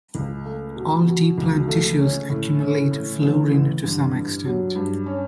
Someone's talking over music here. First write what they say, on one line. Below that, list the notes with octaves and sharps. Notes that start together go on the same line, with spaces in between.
All tea plant tissues accumulate fluorine to some extent.
C#2
A3
B2
B2
C#2
A3
C#4
A2
C#4
A2
A1
A1
G2
G2
F#3
G2
C#4